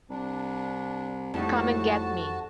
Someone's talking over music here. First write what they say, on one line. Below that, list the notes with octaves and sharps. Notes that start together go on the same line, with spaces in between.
Come and get me!
C2 D4
F2 A2 G3 D#4 F#4 A5